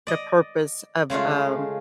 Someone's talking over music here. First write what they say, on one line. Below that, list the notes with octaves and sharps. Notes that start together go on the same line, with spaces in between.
the purpose of, um
D5 D#5
C#3 G#3 A3 F4